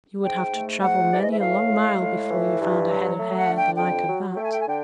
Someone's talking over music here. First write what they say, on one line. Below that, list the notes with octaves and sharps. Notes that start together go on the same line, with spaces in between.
You would have to travel many a long mile before you found a head of hair the like of that.
G#2 G5
A3
G#2 F#5
E3 D5
D#5
E5
A2 F5
G#3
A2
E3
G2
F#3
A3
F#5
D3
G5
F2 G5
F#3
A3 G5
G#5
G5
G#5
D3 G5